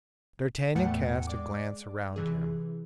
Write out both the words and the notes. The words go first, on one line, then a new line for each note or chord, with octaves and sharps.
D'Artagnan cast a glance around him.
E2 A2 A3 F#5 G5 C#7
G#3 D5 D6
C3 E3 G#4